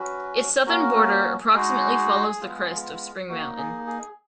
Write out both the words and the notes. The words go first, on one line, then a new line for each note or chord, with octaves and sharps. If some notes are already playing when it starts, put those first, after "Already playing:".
Its southern border approximately follows the crest of Spring Mountain.
Already playing: F#3 C#4 F#4 B4
A#3 C#4 F#4 A#4
G#3 D#4 F#4 G#4
G#3 B3 F4
A#3 D#4 F#4
G#4
G#4